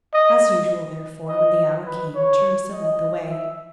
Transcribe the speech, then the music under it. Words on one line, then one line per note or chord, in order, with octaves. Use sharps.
As usual, therefore, when the hour came, Theresa led the way.
D#5
D#5
D#5
B4
C#5
D#5
E5